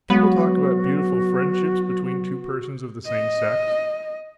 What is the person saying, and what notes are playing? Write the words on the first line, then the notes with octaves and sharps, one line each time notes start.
People talk about beautiful friendships between two persons of the same sex.
F#3 G#3 B3 F#4 B5
D#5